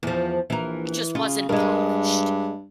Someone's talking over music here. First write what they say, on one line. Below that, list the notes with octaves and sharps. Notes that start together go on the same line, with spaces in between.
just wasn't polished
E2 F3
A#1 E3 A#4
C#3 F4
G2 G#3 A#4